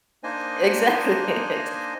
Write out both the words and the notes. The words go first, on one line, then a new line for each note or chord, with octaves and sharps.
E exactly, ex
A#3 D4 D#4 C5 D#5 G#5